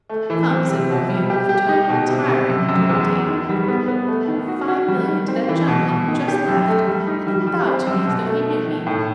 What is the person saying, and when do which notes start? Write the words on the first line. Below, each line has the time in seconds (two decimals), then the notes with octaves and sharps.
"Come," said Boville, with a tone of entire incredulity, "five millions to that gentleman who just left, and who bowed to me as though he knew me?"
0.09 A3
0.30 E3
0.50 C4
0.69 C3
0.90 B2
1.09 G3
1.30 G4
1.49 G4
1.69 D#4
1.89 B2
2.09 C3
2.29 C3
2.49 F#2
2.68 F#2
2.89 E2
3.09 E2
3.29 D#3
3.49 G3
3.68 B3
3.88 B3
4.08 A3
4.28 D#3
4.48 F#4
4.68 F#4
4.88 G3
5.08 D#3
5.28 C4
5.48 E3
5.68 B2
5.88 B2
6.08 D#3
6.28 G4
6.48 F#2
6.67 A3
6.87 G3
7.07 D#4
7.27 G3
7.47 G3
7.67 C4
7.87 F#2
8.07 B2
8.26 A3
8.47 A3
8.66 D#3
8.87 A2